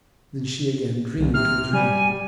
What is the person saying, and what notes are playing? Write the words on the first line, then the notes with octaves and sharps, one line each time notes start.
Then she again dreamed her dream.
C2
C3 F6
G3 G#5